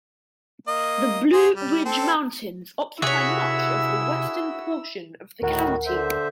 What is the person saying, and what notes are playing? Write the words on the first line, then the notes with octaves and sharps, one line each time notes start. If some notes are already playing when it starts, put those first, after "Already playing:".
The Blue Ridge Mountains occupy much of the western portion of the county.
A#3 D#5
F#4 G#4 C5
G3
C4 A4
C3 E4 F#4 G#4 C#5 E5 F#5 E6
D2 A2 D#3 F#4 A#4 F#5
D3 C5 E5